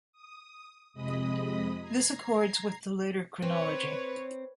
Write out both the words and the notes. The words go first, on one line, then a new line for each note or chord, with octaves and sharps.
This accords with the later chronology.
D#6
F2 C3 G#3 D#5 B5 D#6
A#5 G#6 C7
C4 B4 C#5